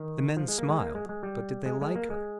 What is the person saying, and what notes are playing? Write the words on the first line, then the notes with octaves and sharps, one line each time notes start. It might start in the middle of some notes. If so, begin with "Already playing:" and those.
The men smiled--but did they like her?
Already playing: D#3
F3
G#3
A#3
G#3
A#3
G#3
G#3
G3
G#3
G#3
A#3
G#3